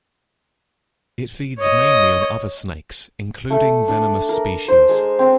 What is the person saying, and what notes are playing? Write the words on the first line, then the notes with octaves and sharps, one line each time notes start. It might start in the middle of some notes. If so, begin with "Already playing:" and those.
It feeds mainly on other snakes, including venomous species.
C#5 D#5
A3
D4
A#4
C5
G#3
C4